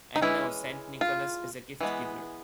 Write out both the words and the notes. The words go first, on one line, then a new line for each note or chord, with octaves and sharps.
And so, Saint Nicholas is a gift-giver.
D#4
E3 G#3 C#4 E4
F4
E3 G#3 B3